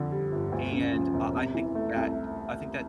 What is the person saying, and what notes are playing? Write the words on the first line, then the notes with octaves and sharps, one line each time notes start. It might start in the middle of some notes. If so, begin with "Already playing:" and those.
and uh, I think that I think that
Already playing: F2 D3
G3
G1
D2
C#3
F3
E1
C3
E3
A3
C2